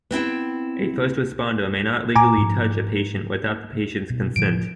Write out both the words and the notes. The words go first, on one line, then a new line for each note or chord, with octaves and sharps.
A first responder may not legally touch a patient without the patient's consent.
B3 C4 E4 G5
A#2 G#5 A#5 D6
G#2 F3
B2
A2 C#3 F3 D7